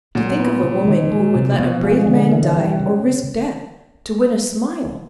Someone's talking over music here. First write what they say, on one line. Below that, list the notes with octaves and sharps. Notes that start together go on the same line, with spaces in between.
To think of a woman who would let a brave man die, or risk death, to win a smile!
A#2 F#3
B3
C#3
D#3
G#3
C3
A#2
B2 F3
G#3
D3
E3
G3
C#3